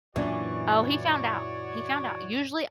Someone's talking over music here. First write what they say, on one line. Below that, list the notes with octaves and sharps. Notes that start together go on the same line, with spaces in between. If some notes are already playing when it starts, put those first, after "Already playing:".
oh, he found out, he found out. Usually uh,
F#2 A#2 E3 D4 F#4 C#5 D5